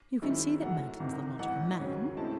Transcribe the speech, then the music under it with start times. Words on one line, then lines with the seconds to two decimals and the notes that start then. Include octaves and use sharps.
"You can see that Manton's the logical man?"
0.22 F#2 D#3 G#3 C4 E4
0.61 F#2 E3 A3 F#5
1.00 C2 C3 D#3
1.39 A1 G#2 E3 F#5
1.79 D#2 C#3 F#3 C#4
2.17 A2 G#3 C4 E4 A5